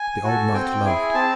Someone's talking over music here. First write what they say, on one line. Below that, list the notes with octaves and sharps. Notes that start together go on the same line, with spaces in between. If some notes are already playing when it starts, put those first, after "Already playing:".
The old knight laughed.
Already playing: G#5
F#4 A4
C4 G5
E4 G#4 G#5
C4 A5